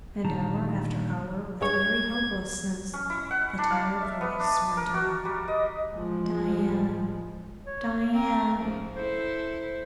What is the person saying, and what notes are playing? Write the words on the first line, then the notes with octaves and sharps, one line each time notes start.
And hour after hour with weary hopelessness the tired voice went on--"Diane, Diane...."
A#2 D3 D#3 G3 A5 A#5
G2 G#3 C#5 G#6
C#4
E4
F#5
D4
F5
E5
B3
D4
A#4
F#4
G3
D#5
A1 F3 G#3
C#5
C4 A#4
G#2 F3 C#4
E4 A4 C5